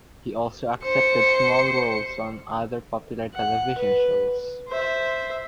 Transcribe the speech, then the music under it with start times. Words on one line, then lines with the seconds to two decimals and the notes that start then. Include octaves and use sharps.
He also accepted small roles on other popular television shows.
0.84 C5 C#7
3.34 F#5
3.78 B4
4.69 C5 E5